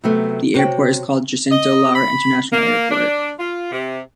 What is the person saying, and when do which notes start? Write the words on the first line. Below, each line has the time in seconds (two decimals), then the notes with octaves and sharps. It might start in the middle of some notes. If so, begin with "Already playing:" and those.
The airport is called Jacinto Lara International Airport.
0.04 C3 F#3 A3 B3
0.54 C3 F#4 C5 C#5 G5
1.50 D#5
1.94 B5
2.51 A#3
2.90 D4
3.38 F4
3.71 C3